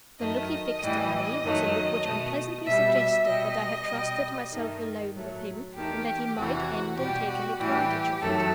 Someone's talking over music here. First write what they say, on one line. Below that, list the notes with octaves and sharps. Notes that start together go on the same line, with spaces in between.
The look he fixed on me was a look which unpleasantly suggested that I had trusted myself alone with him, and that he might end in taking advantage of it.
F#2 D#3 A3 D#5
A2 E3 G3
F#2 D#3 F#3 A3
B2 A3
B2 G3 E5
E5
B2 G3 D#5
B2 G3
G2 D#3 A3
A2 F#3 A3
E2 D#3 A3 G4
E2 C3 E3 F#4
B2 G3 G4
F#4
A2 E3 G3 G4
F#2 D#3 F#3 A3 A4